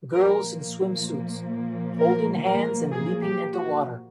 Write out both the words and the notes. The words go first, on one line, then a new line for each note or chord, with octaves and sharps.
Girls in swimsuits, holding hands and leaping into water.
A#2 F3 A#3 A#4
A#4
A#4
G#4
G4
F#4